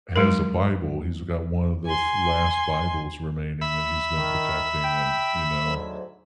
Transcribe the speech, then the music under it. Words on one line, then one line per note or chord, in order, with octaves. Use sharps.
has a Bible. He's got one of the last Bibles remaining that he's been protecting and, you know,
F#3 G#3 D#4 A#4
G#5 C6
E5 B5
D#3
G5
D2 G#2 F#3